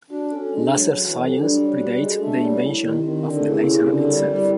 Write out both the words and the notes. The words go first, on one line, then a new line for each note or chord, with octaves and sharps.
Laser science predates the invention of the laser itself.
D4 F#4
C#4 A4
G#3 D4
F#3 C#5
F#3 F#4
E3
F#3 A4
G3 D4
C#5
F#4
G#3 A4
A3 D4
G3 C#5
E4
D#3 G4
D#3 C4
D3 A#4
C3
C#3 E4
C#3 G4
D3 C4
G3 A#4
G3 E4